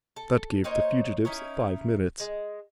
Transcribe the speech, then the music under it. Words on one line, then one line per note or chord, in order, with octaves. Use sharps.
That gave the fugitives five minutes.
A4
A#3 D#4 C5 C#5
C#4 D#4 E4
G#3